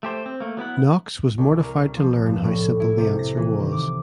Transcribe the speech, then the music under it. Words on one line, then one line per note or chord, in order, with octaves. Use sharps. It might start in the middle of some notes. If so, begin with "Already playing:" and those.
Knox was mortified to learn how simple the answer was.
A3 G4 C5
C4
A3 A#3
F#3 B3 E4 F#5
C2
A#4
F3
G2
A2
E4
C3
A#6
E3
D#3
D6